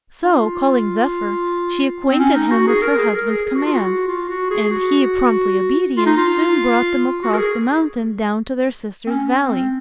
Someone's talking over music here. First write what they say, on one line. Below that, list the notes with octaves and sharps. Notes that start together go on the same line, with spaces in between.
So, calling Zephyr, she acquainted him with her husband's commands, and he, promptly obedient, soon brought them across the mountain down to their sister's valley.
D#4
F4
C4
C#4
D#4
F#4
G#4
A#4
G#4
A#4
G#4
G#4
F#4
F4
F#4
F4
F#4
G#4
F#4
F4
D#4
F4
F#4
A#4
G#4
C4
C#4
C4